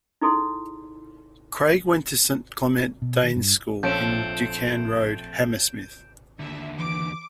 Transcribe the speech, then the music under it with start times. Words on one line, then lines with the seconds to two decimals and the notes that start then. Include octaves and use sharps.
Craig went to Saint Clement Danes School in DuCane Road, Hammersmith.
0.21 D#4 E4 G#4 A4 C6
3.02 B2
3.23 D#3
3.36 G2
3.83 A#1 F3 A3 C4 C#4 G6 D7 E7
6.39 D#2 D3 E5
6.79 E3 D6